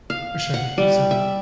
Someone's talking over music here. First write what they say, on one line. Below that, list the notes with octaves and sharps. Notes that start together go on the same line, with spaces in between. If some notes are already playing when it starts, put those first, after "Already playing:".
For sure, you too.
F5
F#5
G3
E5